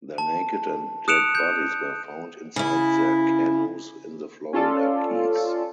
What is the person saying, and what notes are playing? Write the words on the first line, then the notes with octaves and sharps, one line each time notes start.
Their naked and dead bodies were found inside their canoes in the Florida Keys.
A5
D#6 F#6 C#7 D7 E7 F7
G6
C#3 E4
C#4 F4 A4 D5